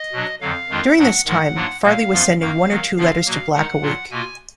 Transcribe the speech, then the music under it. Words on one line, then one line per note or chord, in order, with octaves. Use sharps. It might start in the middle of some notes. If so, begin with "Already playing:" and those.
During this time, Farley was sending one or two letters to Black a week.
Already playing: D#5
B2 F#3 D4
F2 D3 F#3 F5
F2 D#3 G#3 D4 F4
G#2 F#3 D4 F#5
G#2 D#3 G#3 F#5
G#2 F#3 A#3 D4 F4
A#2 F#3 A#3 F5
F#2 F3 B3 F4
F#2 D#3 A#3 F5
D#3 F#3 B3
D3 F3 B3 D4 F4 F5
B2 F#3 A#3
D#3 G#3 D#4 F#5
A#2 F#3 D4 F4
B2 A#3 F4 G#5